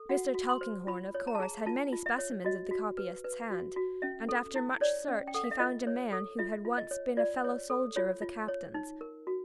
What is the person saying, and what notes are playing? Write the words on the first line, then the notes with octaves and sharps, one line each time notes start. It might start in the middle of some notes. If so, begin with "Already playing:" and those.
Mr. Tulkinghorn, of course, had many specimens of the copyist's hand, and after much search he found a man who had once been a fellow soldier of the captain's.
Already playing: A4
F#4 F#5
F#4
C6
C5
F4 B5
C#5
A#5
A5
G#4 A#5
F4 A5
F4
E5
C#5
F#4 D#5
F#4
B4
B4
F#4
F#4
C#4 E5
A4
E4
C#5 D5
C#4
G5
A4 F#5
F5
E5
F4 D#5
C#5
A4
F4 E5
F4
D#5
C#5
F4 D5
C#5
A4
F4 C#5
F4
C#5
D#4
A#4
F#4